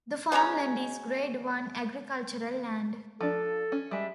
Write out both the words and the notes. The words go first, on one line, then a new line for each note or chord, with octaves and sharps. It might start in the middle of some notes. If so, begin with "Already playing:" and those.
The farmland is grade one agricultural land.
B2 G#3 C#4 A#5
F3 D4 A4
C#4
G3 G#3 E5